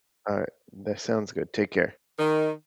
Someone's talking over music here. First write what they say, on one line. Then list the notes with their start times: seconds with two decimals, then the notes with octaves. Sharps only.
Alright. That sounds good. Take care.
2.19 D#3